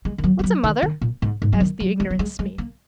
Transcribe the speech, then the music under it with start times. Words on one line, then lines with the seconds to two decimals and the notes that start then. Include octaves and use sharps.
"What's a mother?" asked the ignorant Smee.
0.05 G#3
0.18 D#3
0.24 F#3
0.39 G#3
0.44 F#3
0.64 D#3
0.82 D#3
1.01 A#2
1.22 G#2
1.42 G#2
1.53 F#3
1.60 D#3
1.80 F#3
2.00 G#3
2.10 F#3
2.19 G#3
2.39 G#3
2.58 A#3